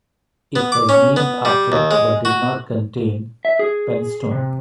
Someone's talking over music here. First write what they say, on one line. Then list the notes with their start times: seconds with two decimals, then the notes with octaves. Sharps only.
It was named after but did not contain Penistone.
0.56 B3
0.72 D6
0.89 C#4
1.16 B3
1.45 G3
1.72 D#2
1.91 G#3
2.25 F#4
3.45 E5
3.59 G#4
4.31 C3